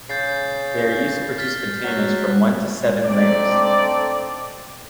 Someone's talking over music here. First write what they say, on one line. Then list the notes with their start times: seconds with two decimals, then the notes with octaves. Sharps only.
They are used to produce containers from one to seven layers.
0.09 C#3 G6 A6 C7
1.38 F6 A6 B6
1.84 F#3 F#6 B6
3.04 A3 C4 D4 D#4 A4 D5